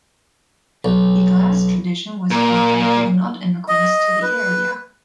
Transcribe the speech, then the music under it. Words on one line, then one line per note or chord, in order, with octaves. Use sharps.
The glass tradition was brought by Huguenot immigrants to the area.
B1
A#2
D#5
B4